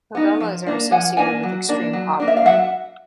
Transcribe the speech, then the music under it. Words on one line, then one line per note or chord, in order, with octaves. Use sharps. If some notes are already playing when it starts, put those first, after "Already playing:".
Favelas are associated with extreme poverty.
B3 D#4
F3
A#3 D4
F3 F#5 G#5
A#3 D4 G#5
F#3
A#3 D4
F#3
A#3 D4
E5
F5
F#3 E5 F#5